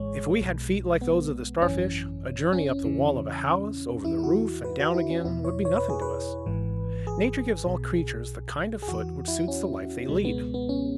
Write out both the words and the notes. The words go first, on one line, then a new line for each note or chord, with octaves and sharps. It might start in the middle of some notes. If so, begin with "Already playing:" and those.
If we had feet like those of the Starfish, a journey up the wall of a house, over the roof, and down again, would be nothing to us. Nature gives all creatures the kind of foot which suits the life they lead.
Already playing: G#1 G#2 E3 G#3 G#4 C#5
B1 B2
B3
G#1 F#2 E3 C#4
C#4
E2 C#3 E3
E2 E3 E4
E4
F#4
B4
F#4
E4
C#4
E2 B2 E4
C#5
C#5
B4
G#4
B4
G#1 G#2 E3
G#4
B1 B2
G#4
E2 E3 F#4
E4
C#4
C#2 B2 G#3
B3
B3
C#4